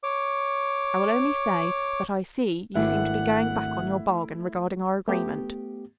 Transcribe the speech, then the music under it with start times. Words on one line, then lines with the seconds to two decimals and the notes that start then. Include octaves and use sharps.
I will only say that I see you seem to be going back on your bargain regarding our agreement.
0.03 C#5 D6
2.75 G#1 A3 D4 E4 F#5
5.08 A3 B3 G4